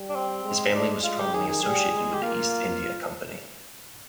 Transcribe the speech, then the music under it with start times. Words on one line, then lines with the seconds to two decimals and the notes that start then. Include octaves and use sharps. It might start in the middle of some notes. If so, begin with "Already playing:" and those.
His family was strongly associated with the East India Company.
Already playing: G3
0.09 D4
0.15 C4
0.45 G#3
0.75 D4
1.03 G#3 F4
1.19 G4
1.33 D#3 G#4
1.48 G#4
1.62 G3 G#4
1.93 G#3
2.13 G4
2.22 A#3 F4